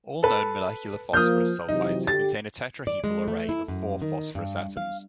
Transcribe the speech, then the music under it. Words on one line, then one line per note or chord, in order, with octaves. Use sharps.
All known molecular phosphorus sulfides contain a tetrahedral array of four phosphorus atoms.
A4 B4
F3 A#3 D#6 F6 G6
C3 E3 F#3 D#4
D3 G4 A6
D5
G#3
A3
E4
F#2
D#3
G2
F5